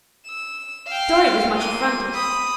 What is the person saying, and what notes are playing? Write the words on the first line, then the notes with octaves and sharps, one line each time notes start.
Dorry was much affronted.
E6
F5 G5
A#3 D#7
B5 D#6